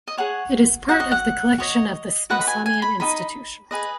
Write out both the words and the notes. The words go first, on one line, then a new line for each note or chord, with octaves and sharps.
It is part of the collection of the Smithsonian Institution.
D#5
G#4 C#5 F#5
F#4 D#5 F#5
D#5
F#5
F#4 C#5 D#5
F#4 B4 D#5 F#5
B5
G#5
G#5
B5
D#4 F#4 D#5 B5
G#4 B4 D#5